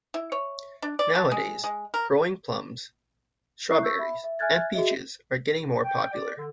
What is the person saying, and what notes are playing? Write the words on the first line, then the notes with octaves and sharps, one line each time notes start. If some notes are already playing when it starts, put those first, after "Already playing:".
Nowadays, growing plums, strawberries, and peaches are getting more popular.
E4
C#5
D4
D5
A5
G#3
G#3
A#4
E4 E5 A#5 C#6 F#6 C7
C#6 E6 G6
E5 B5
E5
E5 G#5 F6 F#6 G#6 A6
F#4 G#4 D#5 E5
G5
D5
D3